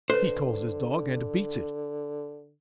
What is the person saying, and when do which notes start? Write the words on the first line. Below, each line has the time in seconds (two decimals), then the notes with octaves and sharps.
He calls his dog and beats it.
0.10 D3 A4 B4 C5